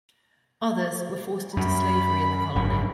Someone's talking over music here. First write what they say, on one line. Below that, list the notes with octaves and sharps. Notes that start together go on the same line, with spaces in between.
Others were forced into slavery in the colony.
F#2 B5
G#1 F#2